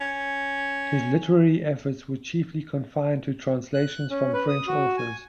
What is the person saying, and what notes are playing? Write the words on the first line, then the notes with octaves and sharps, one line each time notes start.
His literary efforts were chiefly confined to translations from French authors.
C#4
F#6
C#4
B4
D#6
F#4
G#5